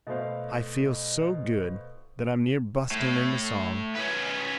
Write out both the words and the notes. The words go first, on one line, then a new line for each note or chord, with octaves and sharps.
"I feel so good that I'm near bustin' into song."
B2 A3 E4 C5 F5
A2
C#4 B4